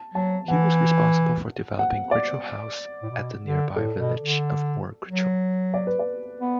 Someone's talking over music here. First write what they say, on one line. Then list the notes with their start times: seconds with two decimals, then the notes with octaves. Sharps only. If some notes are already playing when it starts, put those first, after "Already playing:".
He was responsible for developing Crichel House at the nearby village of Moor Crichel.
Already playing: A5
0.14 F#3 A5
0.48 E3 F#5
1.79 F#5
2.11 D5
3.02 A2
3.10 B2
3.43 D3
3.76 A2 A4
3.98 B2
4.19 D3
5.08 F#3
5.74 D5
5.87 B4
5.99 D5
6.40 B3